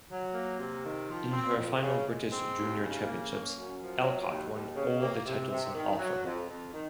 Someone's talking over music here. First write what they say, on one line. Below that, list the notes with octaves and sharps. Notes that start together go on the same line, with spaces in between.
In her final British Junior Championships, Alcott won all the titles on offer.
F#3
A#3
C3
D#3
F3
C4
F2
C#3
G#3
C4
D#2
C#3
A#3
C#4
F#2
F3
F#3
D#2
D#2
C#3
A#3
C3
C3
D#3
F#3
F2
F2
D#3